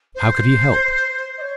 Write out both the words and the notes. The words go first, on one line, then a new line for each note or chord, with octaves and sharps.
How could he help?
C5
D#5
C#5